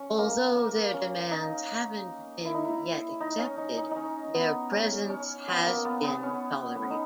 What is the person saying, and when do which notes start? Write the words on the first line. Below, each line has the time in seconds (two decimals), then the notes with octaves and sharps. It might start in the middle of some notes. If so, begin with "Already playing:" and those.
Although their demands haven't been yet accepted, their presence has been tolerated.
Already playing: C#4
0.18 A#3
0.56 A#3
0.94 C#4
1.31 D#4
2.45 E4
2.54 D#4
2.65 E4
3.21 D#4
3.39 C#4
3.57 D#4
3.78 D#4
3.91 D#4
3.96 C#4
4.34 B3
4.72 C#4
5.10 C#4
5.48 B3
5.66 A#3
5.85 B3
6.03 B3
6.23 C#4
6.76 B3
6.83 C#4
6.90 D#4